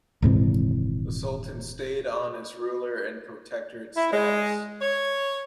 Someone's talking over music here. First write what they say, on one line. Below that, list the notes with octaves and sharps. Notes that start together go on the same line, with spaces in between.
The Sultan stayed on as ruler in protectorate status.
D#1 G#2 C3 E3
E4
G#3
C#5